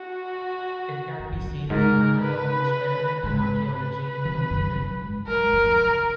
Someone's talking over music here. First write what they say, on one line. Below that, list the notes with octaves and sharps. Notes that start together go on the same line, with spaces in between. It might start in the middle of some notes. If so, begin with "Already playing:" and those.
It can be seen as the analogue of experimental archaeology in computing.
Already playing: F#4
F#2
F2
F2
F#2
G#2 A#4
B4
G#2 B4
B4
D#3
F#2
F#2
G#2
F#2 A#4
G#2
F#2
F2
C#3